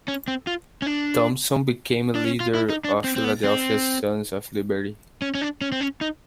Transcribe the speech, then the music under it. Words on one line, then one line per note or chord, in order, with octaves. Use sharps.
Thomson became a leader of Philadelphia's Sons of Liberty.
C#4
C4
F4
C#4
D4
D4
C#4
F4
E4
D#4
D4
C4
C4
B3
C4
C#4
C#4
D4
C#4
C4
C#4
D#4